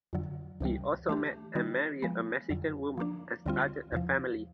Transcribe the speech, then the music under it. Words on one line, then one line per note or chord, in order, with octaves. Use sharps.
He also met and married a Mexican woman and started a family.
F2 D3 F#3
C#2 C3 E3 G3
E3 A3 D4 G4
D#3 G3 B3 D#4 F#4
F3 G#3 B3
F2 D3 F#3
F3 A#3 D4
D2 D3 G3 C4 F4
E2 C3 F3